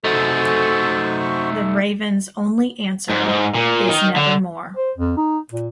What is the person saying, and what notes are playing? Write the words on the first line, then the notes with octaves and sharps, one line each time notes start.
The raven's only answer is "Nevermore".
A3 D#4 F#4 A4 C5 C#6
G#2
G#2
A#2
D#3
D3
C5
F2
D#4
A#2